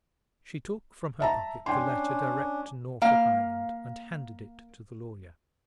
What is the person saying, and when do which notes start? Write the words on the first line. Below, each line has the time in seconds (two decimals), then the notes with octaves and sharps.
She took from her pocket the letter directed to Norfolk Island, and handed it to the lawyer.
1.20 E5 A5 A#5
1.66 C#4 D4 G5 G#5 C6
3.02 A#3 F5